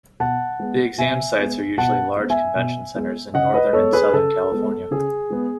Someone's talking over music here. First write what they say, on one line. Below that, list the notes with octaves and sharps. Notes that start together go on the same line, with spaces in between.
The exam sites are usually large convention centers in Northern and Southern California.
B2 F#5 A5
G#3 B3
B2 E5 G#5
G#3 B3
B2 F#5 A5
G#3 B3
E5 G#5
B2
G#3 B3
C#3 D#5 F#5
B4 D#5
G#3 B3 A4 C#5
G#4 B4
C#3 A4
G#3 B3
C#3 G#4
G#3 B3